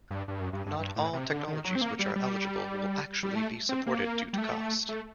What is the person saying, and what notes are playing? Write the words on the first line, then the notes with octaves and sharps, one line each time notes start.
Not all technologies which are eligible will actually be supported due to cost.
G2
G2
F#2
G2
G2
G2
A2
C3
D3
D#3
F#3
C4
A#3
G3
G3
G3
A3
C4
A#3
G3
A3
A3